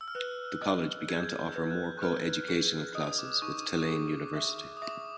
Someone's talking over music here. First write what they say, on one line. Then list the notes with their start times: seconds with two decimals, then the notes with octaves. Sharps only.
The college began to offer more coeducational classes with Tulane University.
0.01 E6
0.08 F6
0.15 B4 F#6
0.62 D#5
1.08 G#4 G#6
1.16 G6
1.25 G#6
1.40 G6
1.55 B4
1.71 F#6
1.98 F#6
2.02 B4 F6
2.48 G#4
2.95 D#5 D#6
3.19 D6
3.42 D#4 C#6
3.66 D6
3.89 G#4 D6
4.36 E5
4.77 D#6
4.82 E5 D6